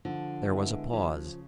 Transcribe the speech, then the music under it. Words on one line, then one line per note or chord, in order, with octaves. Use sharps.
There was a pause.
D3 F3
G#3 B3 E4
C#3 F3